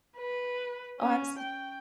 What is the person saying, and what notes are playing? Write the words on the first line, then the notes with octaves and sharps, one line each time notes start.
oh I'm s
B4
C#4
G5